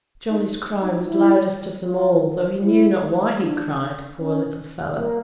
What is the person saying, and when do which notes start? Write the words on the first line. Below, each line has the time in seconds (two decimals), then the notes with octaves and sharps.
Johnny's cry was loudest of them all, though he knew not why he cried, poor little fellow.
0.29 D#4
0.81 D#4
1.07 E4
1.84 F4
2.62 E4
3.41 D4
4.17 C#4
4.95 A#3